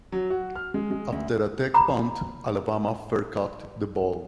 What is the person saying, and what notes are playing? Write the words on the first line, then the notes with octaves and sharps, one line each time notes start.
After a Tech punt, Alabama fair-caught the ball.
F#3
F#4
F6
G#3
G#3
D2
A#5 B5 D6